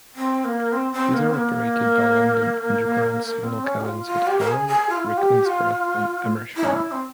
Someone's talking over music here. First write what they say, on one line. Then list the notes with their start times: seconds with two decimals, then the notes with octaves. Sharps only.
These are operated by London Underground signal cabins at Harrow, Rickmansworth and Amersham.
0.16 C4
0.45 A#3
0.72 C4
0.93 C4
1.14 A#3
1.29 C4
1.34 A#3
3.22 A#3
3.44 C4
3.64 C#4
3.81 G4
3.85 F4
4.06 F4
4.27 G4
4.39 A#4
4.48 G#4
4.68 G#4
4.89 F4
4.96 E4
5.04 F4
5.18 G4
5.46 F4
6.56 E4
6.64 C#4
6.72 E4
6.92 C4